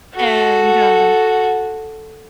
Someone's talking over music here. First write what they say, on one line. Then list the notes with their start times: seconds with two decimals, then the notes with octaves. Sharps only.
And, uh,
0.15 F#4 A4